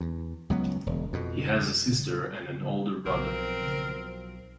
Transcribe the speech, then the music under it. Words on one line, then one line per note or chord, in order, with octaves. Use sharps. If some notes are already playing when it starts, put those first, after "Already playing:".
He has a sister and an older brother.
E2
C#2 F#3 B3
E1
F2 B2
B1 F3 F#3 C4 A#4